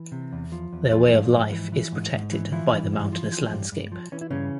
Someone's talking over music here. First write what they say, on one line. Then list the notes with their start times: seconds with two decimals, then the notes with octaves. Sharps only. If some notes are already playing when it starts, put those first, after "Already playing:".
Their way of life is protected by the mountainous landscape.
Already playing: E3
0.12 C3
0.32 E2
0.52 F3
0.73 E2
0.92 E3 F3 F4
1.12 G#2
1.32 G#2
1.52 E3
1.72 E3
1.92 G#2
2.12 G#2
2.32 E3
2.52 E3 F3 E4
2.72 G2
2.92 G2
3.12 F3
3.32 F3
3.52 G2
3.72 G2
3.92 F3
4.12 E3 C#4
4.21 E4
4.30 G2 C#3 C#4